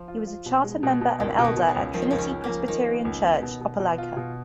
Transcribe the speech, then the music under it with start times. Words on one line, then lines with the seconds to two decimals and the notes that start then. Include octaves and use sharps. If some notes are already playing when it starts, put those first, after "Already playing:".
He was a charter member and elder at Trinity Presbyterian Church, Opelika.
Already playing: F3
0.08 F4
0.27 F4
0.46 B2
0.64 G#3
0.83 B2
1.01 B2
1.20 C#2 D#3
1.39 B2
1.44 D#3
1.57 B2
1.69 C#3
1.76 C#2
1.94 D#3 F3
2.02 C#3
2.11 C#2 D#3
2.18 C#4
2.31 C#2
2.44 A#3
2.49 F3
2.68 D#3 F3
2.87 B3
3.05 C#2
3.24 B3
3.42 B2
3.61 B2
3.79 B2
3.98 F4
4.17 B2